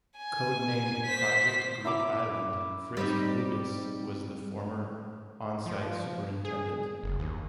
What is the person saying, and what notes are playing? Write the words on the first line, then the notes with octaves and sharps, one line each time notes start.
Code named "Project Greek Island", Fritz Bugas was the former onsite superintendent.
G#5
C5 B6
E4 A#5 D6 E6
G3 C4 D#4
F3
G#4
F#1
D#2